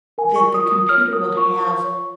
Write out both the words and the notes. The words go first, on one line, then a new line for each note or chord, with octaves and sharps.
that the computer will have
A#4 G#5
C#6
F4
D#6
F4
D#6
C#5 F6
A#4 D#6
F4 C#6
F4
C#5